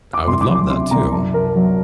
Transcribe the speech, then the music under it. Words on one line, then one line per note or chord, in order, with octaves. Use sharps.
I would love that, too.
D6
C2 C6
D6
F#3
D6
C3 C6
C2 A#5
F#2 A5
F#2 A#4
F#3